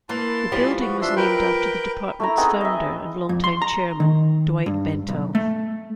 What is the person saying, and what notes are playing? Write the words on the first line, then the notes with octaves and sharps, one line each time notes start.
The building was named after the department's founder and long time chairman, Dwight Bentel.
E3 A#3 A5 C6
E3 F3 G3
F#4
D4 E5 C6
A#4 B4 G5
A3 E4 A#5
B3 C4 D#4 G#4
D#5 E5
F2
C6
A#5
D#3
G2
B1
A3